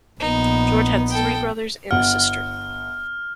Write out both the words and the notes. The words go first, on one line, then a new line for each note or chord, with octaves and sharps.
George had three brothers and a sister.
A#1 B3 D#4
A4 G5
G1 F#5 F6